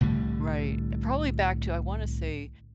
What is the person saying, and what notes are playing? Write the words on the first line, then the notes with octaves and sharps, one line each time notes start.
Right, probably back to I wanna say,
C2 A2 D3 G3